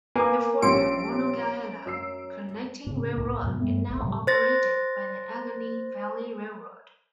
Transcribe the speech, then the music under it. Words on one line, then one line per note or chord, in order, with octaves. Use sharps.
The former Monongahela Connecting Railroad is now operated by the Allegheny Valley Railroad.
A#3 B4 G#5 D6
A#1 G3 C#4 C6 C#7 D7
F#2 E6 C7
A2 C#3
C2 A2 A#3
D#2 G#2 B2 F#3
G2 G3 A3 B3
E1 A1 A3
A2 C3 F#3 G3
C5 A6 A#6